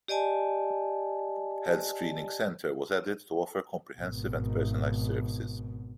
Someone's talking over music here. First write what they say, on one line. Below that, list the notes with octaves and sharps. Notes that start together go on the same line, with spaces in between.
Health screening centre was added to offer comprehensive and personalized services.
G4 D5 D#5 G#5 A5
G#1 B2